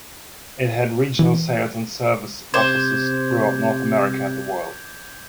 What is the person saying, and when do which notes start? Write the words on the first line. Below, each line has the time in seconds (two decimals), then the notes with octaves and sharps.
It had regional sales and service offices throughout North America and the world.
1.19 E3
2.54 C3 C5 D6 G6 G#6